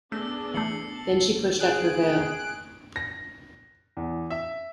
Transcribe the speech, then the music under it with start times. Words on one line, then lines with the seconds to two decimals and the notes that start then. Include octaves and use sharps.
Then she pushed up her veil.
0.12 A3 B3 D4 G#4 E6 A#6
0.54 E3 A3 C7 C#7 F#7
0.87 A5
1.59 G#4 F#6 D7
2.96 A#6
3.97 E2
4.30 E5